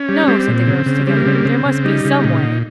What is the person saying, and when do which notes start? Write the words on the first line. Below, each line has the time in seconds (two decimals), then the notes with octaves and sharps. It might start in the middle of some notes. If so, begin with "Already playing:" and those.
'No,' said the girls together, 'there must be SOME way.'
Already playing: C#4
0.09 G3
0.27 G3 C4
0.48 A#2
0.67 C#3
0.86 C#3
1.07 G3 C4
1.17 A#3
1.26 C#3 C4
1.35 A#3
1.45 C#3 C4
1.66 C#3
1.85 G3 D#4
2.05 C#3
2.24 A#2
2.43 A#2